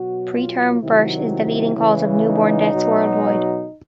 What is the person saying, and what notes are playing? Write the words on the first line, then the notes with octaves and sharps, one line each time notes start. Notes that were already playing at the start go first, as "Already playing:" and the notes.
Preterm birth is the leading cause of newborn deaths worldwide.
Already playing: B2 F#3 F#4
F4
C3 D#3 F#3 E4
C#3 E3
D#4
B2 F#3